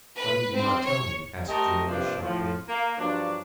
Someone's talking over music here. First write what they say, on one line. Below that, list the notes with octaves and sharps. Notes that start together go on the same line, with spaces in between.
"Why did you not tell me?" asked Julius, sharply.
B4
C4
C#5
A3 G4 A#4 C5 D#5
G2 C3 F3 A#3 D4 G4
A2 F3
A#3
G2 F3 F#3 D4